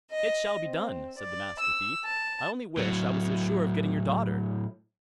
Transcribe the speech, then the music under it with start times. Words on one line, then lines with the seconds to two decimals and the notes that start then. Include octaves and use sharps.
'It shall be done', said the Master Thief. 'I only wish I was as sure of getting your daughter.'
0.11 D#5
0.65 C4
1.18 D5
1.60 E6
2.06 A5
2.77 A2 F#3